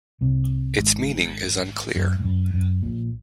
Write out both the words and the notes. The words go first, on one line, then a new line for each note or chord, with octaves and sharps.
Its meaning is unclear.
C2 C3
G#1 G#2
F#2
G#2
F#2
F#2
A#1 A#2